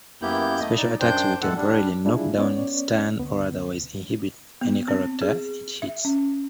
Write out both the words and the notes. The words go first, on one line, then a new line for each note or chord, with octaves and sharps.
Special attacks will temporarily knock down, stun, or otherwise inhibit any character it hits.
F#2 A#3 B3 E4 G4 G6
A3 D#5
D#4 D5
F#2 D4 C5 G5 G6
F2 A2 E3 G#3 A4 F#5
G3 D4
G3 D4 E4 F4 G#4
B3 C#4 C#5 D5
D2 B3
B3
C4
G#4
E5
C#4